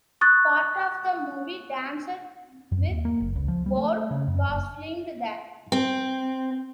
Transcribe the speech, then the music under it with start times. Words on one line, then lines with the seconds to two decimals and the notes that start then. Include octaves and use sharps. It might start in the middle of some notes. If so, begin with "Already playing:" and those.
Part of the movie "Dances with Wolves" was filmed there.
0.21 C#6 D#6 F#6 A6
2.72 F#2
2.87 D#2
3.05 A#3
3.20 F#1
3.36 C#2
3.48 F3
3.66 G3
3.77 A3
4.11 C#3
4.28 F#2
4.48 F#1
5.72 C4